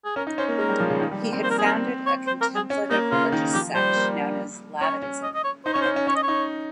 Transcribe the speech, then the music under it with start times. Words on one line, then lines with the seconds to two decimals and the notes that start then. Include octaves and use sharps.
He had founded a contemplative religious sect known as Labadism.
0.05 G#4
0.16 C#4 A#4
0.27 D#4
0.38 C#4 C5
0.49 A#3
0.59 G#3 A#4
0.69 G3
0.80 F3
0.90 C#3
1.01 D#3
1.11 G3
1.22 A#3
1.33 C4
1.43 A#3 C5
1.50 A#4
1.58 G#4
1.64 C4 A#4
2.06 C#5
2.27 C5
2.41 A#4
2.55 G#4
2.70 C#4
2.90 A#3 D#4
3.11 C#3 F4
3.32 D#3
3.54 F3 G4
3.75 G3 C5
3.96 A#3
4.81 C#4 C#5
5.02 C#4
5.23 D#5
5.34 D#5
5.44 C#5
5.65 D#4 C5
5.73 C#4 C#5
5.81 C5
5.86 C#4
5.96 C#4
6.07 C#4 C#5
6.15 D#5
6.23 C#5
6.28 D#4